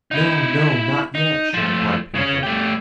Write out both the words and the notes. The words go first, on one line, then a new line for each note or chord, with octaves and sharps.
"No, no, not yet!" shouted Black Panther.
D#4 E4
D#4
F3 A3
C#3 C#4
A3 G4